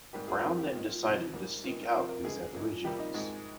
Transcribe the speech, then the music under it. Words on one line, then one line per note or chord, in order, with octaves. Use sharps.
Brown then decided to seek out these Aborigines.
G#2 G3 A#3 G4
G#4
F2 D#3 G3 A#3 G#4
G4
G2 D#3 G#3 F4
F4
C3 F3 G#3 D#4
G#2 G3 A#3
G2 D#3 G#3 F4
A#4
C3 F3 A#3 C5
A#4
G2 D3 G#3 G#4
A#2 F3 G#3
F2 C3 G3 A#3 G4
D#4
G#2 D#3 G#3